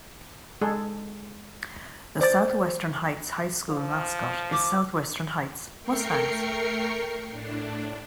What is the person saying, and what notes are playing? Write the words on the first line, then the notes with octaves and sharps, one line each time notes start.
The Southwestern Heights High School mascot is Southwestern Heights Mustangs.
G#3 G#4 A4
C5 D5 A6
F3
D6
A3 A#4 G5 C#6 C7 C#7
A2 D4